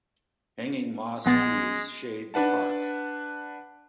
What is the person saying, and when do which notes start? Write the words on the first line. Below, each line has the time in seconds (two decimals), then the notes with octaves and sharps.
Hanging moss trees shade the park.
1.26 A#1 G#3 B3 A6
2.34 D4 B4 F#5 A5